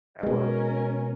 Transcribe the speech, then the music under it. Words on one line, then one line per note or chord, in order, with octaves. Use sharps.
I would.
B2 G#3 C#4 A#4